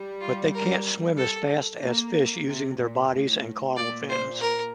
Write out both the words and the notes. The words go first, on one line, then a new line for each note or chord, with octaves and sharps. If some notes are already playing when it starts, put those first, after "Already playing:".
But they can't swim as fast as fish using their bodies and caudal fins.
Already playing: G3
F4
A#4
A4
A#3
C3
A#2
A2
A#2 D5
C5
A#4